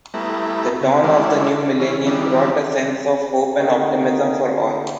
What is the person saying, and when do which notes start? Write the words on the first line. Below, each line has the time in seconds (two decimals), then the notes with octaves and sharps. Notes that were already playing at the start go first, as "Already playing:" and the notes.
The dawn of the new millennium brought a sense of hope and optimism for all.
0.14 G3 A3 B3 E4 A#5
0.81 C#3
1.04 G3 G#3 C#4 D4 E4
1.79 E3 C#4
2.06 D#3 E3 G3 D4
3.59 D3 D#3 A#3